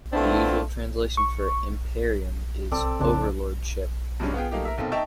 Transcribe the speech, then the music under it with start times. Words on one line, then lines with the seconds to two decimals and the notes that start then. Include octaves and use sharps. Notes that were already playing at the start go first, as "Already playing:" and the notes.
The usual translation for "imperium" is "overlordship".
0.12 A3 B3 C4 D4 E4 F4
1.17 C#6
2.71 C2 C4 A4 D5
3.00 F2 C#3 D4 A5
4.20 G2 C3 F#3 G#3 C#4 D4
4.34 B3 F4 G#4 G5
4.51 F#3 A3 A#3 D#4 G4
4.65 A#4 E5
4.78 F1 B1 A#3 C4 A4
4.92 D#4 D#5 E5 G5 A5 C#6